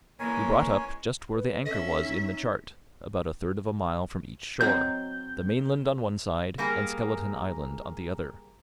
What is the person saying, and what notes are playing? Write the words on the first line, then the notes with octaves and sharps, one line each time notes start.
We brought up just where the anchor was in the chart, about a third of a mile from each shore, the mainland on one side and Skeleton Island on the other.
E3 G#3 A#3 C#4 A#4 C#5 G#5
B4
C#4 A4 E5
D#4
F#3 C4 D#4 G6
G3 A#3 G#4 A#4